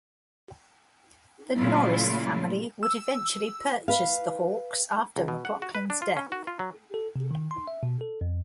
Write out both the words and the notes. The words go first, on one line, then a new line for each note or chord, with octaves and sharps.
The Norris family would eventually purchase the Hawks after McLaughlin's death.
A#2 C#3 F#3 A3 E4 F4
E6
B4 F5
C#2
B2
F#5
F#4
B4
D4
F4
C#4
F#4
F4
F#3
A4
C3
D#3
C6
E5
B2
A4
F2